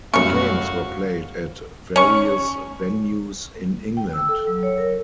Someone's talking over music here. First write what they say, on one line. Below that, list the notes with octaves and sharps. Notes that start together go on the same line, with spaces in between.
The games were played at various venues in England.
C2 F#2 A2 C#4 F#4 C#5 F5 C#6
C#4 C#6
G5
E6
A4
F#3
C#5
A#4